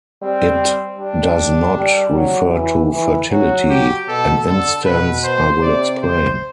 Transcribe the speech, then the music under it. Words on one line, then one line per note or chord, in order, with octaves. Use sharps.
It does not refer to fertility; an instance I will explain.
G3 C4
G3 D4
G3
F#3
E3
E3
F#3 F#4
G4
B2 A4
D3 A4
B2 B4
C5
C3 D5
C5